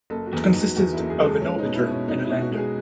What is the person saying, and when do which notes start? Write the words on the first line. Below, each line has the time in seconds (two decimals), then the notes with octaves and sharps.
It consisted of an orbiter and a lander.
0.10 F#1 A4
0.26 F#4
0.33 E2
0.44 D#4
0.54 E2
0.60 F#4
0.76 E2 F#4
0.93 F#1 E4
1.10 G#4
1.20 G#3 G#4
1.26 A4
1.42 G#3 C#4
1.58 D#4
1.64 B2
1.75 E4
1.86 B2
1.91 C#4
2.08 B2 D#4
2.24 E4
2.30 B2
2.41 F#4
2.52 G#3
2.57 G#4